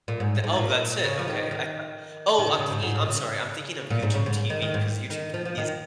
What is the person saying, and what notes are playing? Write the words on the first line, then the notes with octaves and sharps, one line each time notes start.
The oh, that's it, okay. I thought Oh, I'm thinking I'm sorry, I'm thinking of YouTube TV, 'cause YouTube TV is it
A#2
G#2
G#2
A#2
C#3
F3
D#3
D#3
D#3
C#3
C#3
G#2
G#2
C#3
A#2
C#3
A#2
G#2
C#3
G#2
D#3
D#3
G#2
D#3
F3
F3
D#3